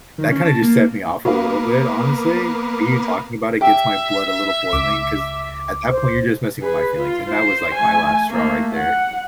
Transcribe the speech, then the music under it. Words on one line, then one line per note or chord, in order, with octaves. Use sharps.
that kinda just set me off a little bit, honestly. Even talking about it gets my blood a little boiling, 'cause at that point, you're just messing with my feelings, and that was, like, my last straw right there.
D#3
C#4
A5
A#3
A#3 B3 F#4 A#4 F5
G4 E5
C#2 D6
C5
G#4 B4
F4
C5
A3 G#5
A3 A#3
F#5